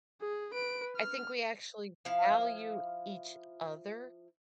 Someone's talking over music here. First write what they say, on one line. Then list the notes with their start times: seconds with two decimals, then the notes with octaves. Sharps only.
I think we actually value each other
0.21 G#4
0.53 B4 D7
0.96 F6
2.05 F3 E4 F5